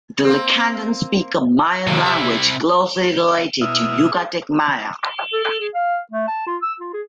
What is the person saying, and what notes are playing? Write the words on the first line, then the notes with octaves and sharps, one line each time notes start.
The Lacandon speak a Mayan language closely related to Yucatec Maya.
A#3 C4
G#2 C3 D#3 A#3 E4
E5
B2 E4 E5 D#6 F6
G#4
A4
A4
G#4
F5
A3
A5
F4
E6
F4
G#4